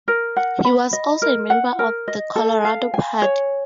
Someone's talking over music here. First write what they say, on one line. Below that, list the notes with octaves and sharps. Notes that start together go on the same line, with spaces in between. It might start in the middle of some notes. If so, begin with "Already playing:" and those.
He was also a member of the Colorado Party.
A#4
F#5
B5
D#5
A#4
F#5
A#4
D#5
A4
F5
G#5
C#5